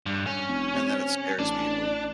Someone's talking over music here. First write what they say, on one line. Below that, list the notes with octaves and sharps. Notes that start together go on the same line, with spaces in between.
And then it scares people.
G2
C#4
F1
C3
A1 D4